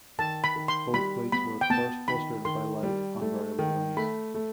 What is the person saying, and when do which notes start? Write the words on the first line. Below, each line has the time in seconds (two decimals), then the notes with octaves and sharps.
Both fleets were at first frustrated by light and variable winds.
0.19 D#3 A5
0.44 B5
0.56 D#3
0.68 C6
0.94 G3 B5
1.32 B3 B5
1.61 G5
1.70 B3 A5
2.08 D#3 B5
2.45 D#3 C6
2.83 G3
3.21 A3
3.59 D#3
3.97 A3 B5
4.34 A3